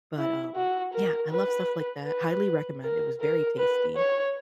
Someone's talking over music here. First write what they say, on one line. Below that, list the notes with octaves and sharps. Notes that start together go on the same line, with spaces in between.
but, um, yeah, I love stuff like that, highly recommend, it was very tasty,
E4
F#4
A#4
B4
B4
A#4
A#4
B4
C#5